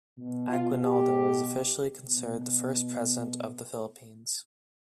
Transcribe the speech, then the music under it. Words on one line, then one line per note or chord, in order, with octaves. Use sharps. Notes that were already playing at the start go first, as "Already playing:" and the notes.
Aguinaldo is officially considered the first President of the Philippines.
B2
F4
G4
B2